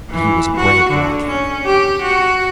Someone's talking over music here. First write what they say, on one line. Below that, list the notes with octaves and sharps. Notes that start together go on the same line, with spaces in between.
But he was a brave blockhead.
E3
F#4
D3
C#4
G4
F#4